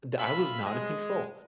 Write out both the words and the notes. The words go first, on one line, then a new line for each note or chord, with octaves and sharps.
d I was not in control.
F4 E5 F5 B5
G#3